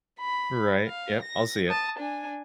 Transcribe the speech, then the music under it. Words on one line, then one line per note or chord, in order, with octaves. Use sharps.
Right, yep, I'll see ya.
B5
F5
A#6
A5 D#6
D4 G#5